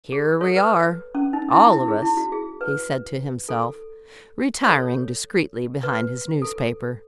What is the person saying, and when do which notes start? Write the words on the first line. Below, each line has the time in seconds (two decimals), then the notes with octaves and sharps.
"Here we are, all of us," he said to himself, retiring discreetly behind his newspaper.
0.12 G#4
0.41 A4 C#5
0.56 B4
1.15 C#4
1.33 D#4
1.53 E4
1.72 E4
1.88 G#4
2.02 E4
2.17 F#4
2.32 G#4
2.61 B4
3.49 A4
4.66 A4 C#5
5.83 B4
6.42 A4